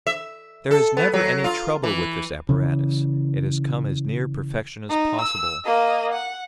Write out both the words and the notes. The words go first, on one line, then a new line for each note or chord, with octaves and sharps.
There is never any trouble with this apparatus; it has come as near perfection as possible.
E5
A4
B3
F#3
F4
E3
C#3 E3
D#4
E6
A#3 D#5
F#5